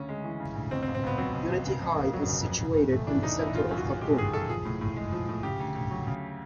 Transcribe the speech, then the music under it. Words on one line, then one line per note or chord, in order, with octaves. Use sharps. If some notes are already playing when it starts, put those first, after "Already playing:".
Unity High is situated in the centre of Khartoum.
Already playing: D2 C#3 C#4
G#3
E3
C#3
D2
B2 C4
C4
C#2
C4
C#2 B3
F#3 C4
B2
C#2
C#3
F2
A#3
F#3
C#3
F2
C#3
E2
A3
E3 D4
C#3 D#4
E2 E4
D#3 F4
F#2
F#4
F#2
G#3 G4
D#3 G#4
F#2 A4
F3 G#4
A2
A2
G#3
F3
A2
C#3 G4
D2
D2
F#3
C#3